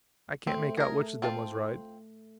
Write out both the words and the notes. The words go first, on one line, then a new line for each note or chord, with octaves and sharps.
I can't make out which of them was right.
A3 C4
G#4 A#4
C4 F4 A5